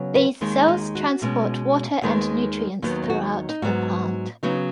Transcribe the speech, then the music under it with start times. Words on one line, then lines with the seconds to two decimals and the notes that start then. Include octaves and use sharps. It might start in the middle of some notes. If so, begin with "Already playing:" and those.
These cells transport water and nutrients throughout the plant.
Already playing: C#3 F#3 B3
0.15 B4
0.41 D#2 D#3 G#3
0.68 D#4
0.95 F#4
1.22 B2 G#3 C#4
2.02 D#2 D#3 G#3 B3
2.82 D#2 D#3 F#3 B3 D#4
3.03 D#4
3.10 F#4
3.49 D#4
3.62 G#2 F#3 B3 F#4
4.43 C#3 F#3 B3 D#4